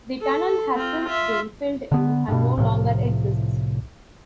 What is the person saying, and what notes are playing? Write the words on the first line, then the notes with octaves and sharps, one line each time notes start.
The tunnel has since been filled in and no longer exists.
A4
C4 F4
F4 E5
D3 B3
G2 B2
C2 A2 C3 F3